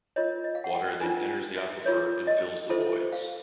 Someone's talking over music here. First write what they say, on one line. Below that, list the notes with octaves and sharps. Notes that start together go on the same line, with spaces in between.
Water then enters the aquifer and fills the voids.
F4 A#4 C#5 D#5
D#5
F5
F#5
G5
D4 F4 A#4 G#5
E5
F4 A#4 C#5
D#5
F4 A4 C5 E5
F5